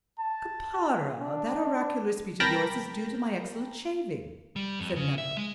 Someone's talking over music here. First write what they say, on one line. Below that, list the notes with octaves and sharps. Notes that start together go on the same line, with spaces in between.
"Caparra, that oracular speech of yours is due to my excellent shaving," said Nello.
A5
D4
C2 A#4 G5 A5 B5 A#6
G3
F2
C#3
E5
G#3